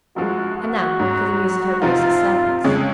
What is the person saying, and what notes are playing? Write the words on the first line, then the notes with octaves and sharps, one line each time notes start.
"And now for the news of her Grace's servants."
F#2 F3 G#3 F#4
F#4
G#2 F#3 C#4
C3 F3 C4 D#4 F4
F2 C#3 G#3 C#4